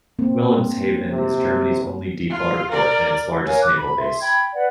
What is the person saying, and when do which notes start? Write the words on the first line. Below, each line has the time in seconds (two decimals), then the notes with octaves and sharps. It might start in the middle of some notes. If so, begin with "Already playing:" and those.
Wilhelmshaven is Germany's only deep-water port, and its largest naval base.
0.19 A#3 C4
1.11 C3
2.30 F4
2.71 A#4 D5
3.46 A#4 C#5 F5 G#5
3.62 D6 F#6
3.77 B5
3.99 E5 C6
4.20 G5 B5 G#6
4.54 B4 D5 F#5